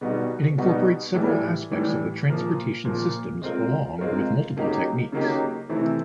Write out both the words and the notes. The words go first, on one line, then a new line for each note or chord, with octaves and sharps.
It incorporates several aspects of the transportation systems along with multiple techniques.
B2 G3 B3 D#4 F#4
B2 G3 B3 D#4 F#4
A2 E3 G3
A2 E3 G3
A#2 F3 A#3
A#2 F3 A#3
G#3 C4 F4 A#4
G#3 C4 F4 A#4
C#3 F#3 A#3 D#4 G4
C#3 F#3 A#3 D#4 G4
C3 E3 A3 C4 E4